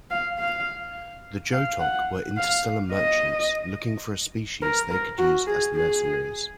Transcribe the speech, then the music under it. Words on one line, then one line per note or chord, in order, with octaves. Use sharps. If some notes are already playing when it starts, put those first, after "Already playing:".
The Jotok were interstellar merchants looking for a species they could use as mercenaries.
F5
F5
F5
F#5
F5
D#5
A#4
A#4
F#4
G#4
G#4